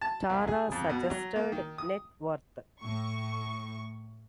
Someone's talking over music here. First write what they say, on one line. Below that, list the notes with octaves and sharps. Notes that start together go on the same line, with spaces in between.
Tara suggested Net Worth.
A5
C2
G#4
F2
B2
F#3
A#3
D#3
D#6
A2 C#6